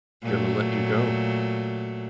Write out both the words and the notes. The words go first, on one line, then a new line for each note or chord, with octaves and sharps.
gonna let you go,
A#2 F#3 A3